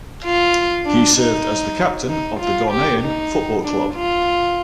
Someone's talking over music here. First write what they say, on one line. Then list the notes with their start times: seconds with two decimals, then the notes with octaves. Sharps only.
He served as the captain of the Ghanaian football club.
0.24 F4
0.86 D4
1.17 D#4
2.09 D#4
2.40 F4
2.71 G4
3.02 D#4
3.64 D4
3.95 F4